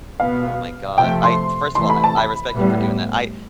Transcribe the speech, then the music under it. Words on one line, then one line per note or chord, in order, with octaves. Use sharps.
Oh, my god. I first of all, I I respect you for doing that. I
B2 B3 F5
C3 F3 A3 G5
C6
C3 E3 A3 C6
B5
A5
B5
A2 G3 B3